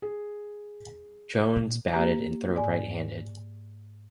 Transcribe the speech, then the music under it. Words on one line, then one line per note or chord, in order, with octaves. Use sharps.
Jones batted and threw right-handed.
G#4
A#2
A#3 G4 A#5
G#2 D5 G#5